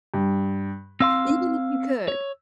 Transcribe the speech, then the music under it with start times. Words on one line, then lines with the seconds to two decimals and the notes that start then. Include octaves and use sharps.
Even if you could,
0.14 G2
1.00 C4 F5 C6 E6
2.08 C#5